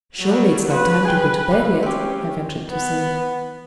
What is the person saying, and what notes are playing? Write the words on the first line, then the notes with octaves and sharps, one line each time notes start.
"Surely it's not time to go to bed yet," I ventured to say.
F#3 G3
F3 F#4 B4
G#4 G5
C3
C4 C#4 G4
B3